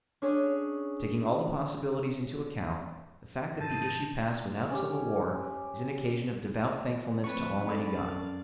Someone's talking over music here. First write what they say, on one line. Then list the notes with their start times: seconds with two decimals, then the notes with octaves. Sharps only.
Taking all the possibilities into account, the fact that the issue passed without civil war is an occasion of devout thankfulness to Almighty God.
0.22 C#4 D4 G#4 C#5 D#5
3.61 G#2 C3 D#3 A5
4.70 C#4 G4
7.24 F3 C4 B4 A5 C#6
7.67 A4 D5 F5 B5
7.96 F#2